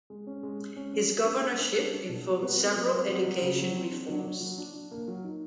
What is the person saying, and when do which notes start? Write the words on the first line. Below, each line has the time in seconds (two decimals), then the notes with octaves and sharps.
His governorship involved several education reforms.
0.10 G#3
0.27 C#4
0.43 G#3
0.60 G#3
0.76 C#4
0.94 C#4
1.09 C#4
1.26 D4
1.42 B3
1.60 D4
1.76 G3
1.93 D4
2.09 B2
2.26 G3
2.43 B3
2.59 C4
2.76 F#3
2.92 C4
3.08 F#3
3.26 F#3
3.42 C#3
3.59 F#3
3.75 C4
3.92 D4
4.08 F#3
4.25 F#3
4.41 F#3
4.58 D4
4.74 D4
4.91 A#3
5.08 F#3
5.24 D#4